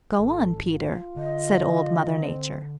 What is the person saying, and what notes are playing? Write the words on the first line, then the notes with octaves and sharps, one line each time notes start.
"Go on, Peter," said Old Mother Nature.
G#1 A4
F4
D3 D#5
C4